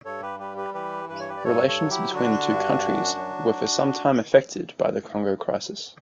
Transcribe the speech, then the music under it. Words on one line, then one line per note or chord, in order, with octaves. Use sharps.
Relations between the two countries were for some time affected by the Congo Crisis.
G2 A4 C#5
G4 B4
G3 G4 B4
G4 B4
E3 G4 B4
G2 B4
C#5
G4 B4
D5
G2 A4 C#5
A4 C#5
F#3
E4 G4
D3 D4 F#4
G2
F#2
F#3